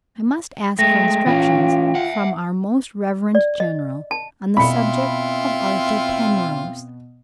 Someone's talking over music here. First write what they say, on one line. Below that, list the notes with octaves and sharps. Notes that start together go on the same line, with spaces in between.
I must ask for instructions, from our Most Reverend General, on the subject of Arthur Penrose.
G#3 A3 G5 A#6
E3 C#4 F4
E5 F#5
D5
D#5
A5
B2 C4 E4 F4 B5 C#7